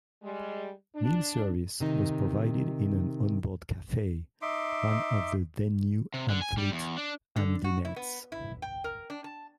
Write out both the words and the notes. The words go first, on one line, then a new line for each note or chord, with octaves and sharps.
Meal service was provided in an on-board cafe, one of the then-new Amfleet Am-dinettes.
G3 G#3
D4
C3 D#3 D#4
D#4 E5 C6 D6
C3
D3
G#5
G3
E2
D4
D3
F#4
E4
B3
E4
G5
A#4
D4
A5